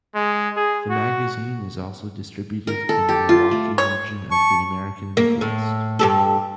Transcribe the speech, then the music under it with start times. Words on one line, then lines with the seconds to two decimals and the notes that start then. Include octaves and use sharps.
The magazine is also distributed in Milwaukee region of the American Midwest.
0.15 G#3
0.57 G#4
0.90 F#4
2.67 A#4
2.89 A4
3.09 G4
3.29 F4
3.51 A3
3.78 C#5
4.31 A5 C#6
5.17 A#3
5.41 A2
5.99 G2 G4 A4